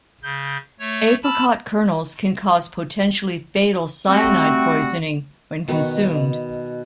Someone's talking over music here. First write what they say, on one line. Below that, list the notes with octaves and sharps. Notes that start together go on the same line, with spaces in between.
Apricot kernels can cause potentially fatal cyanide poisoning when consumed.
C#3 G6
A3 C#5
A5 B5 E6 F6
G3 A3 C4 F#4
B2 D#3 B4 C#6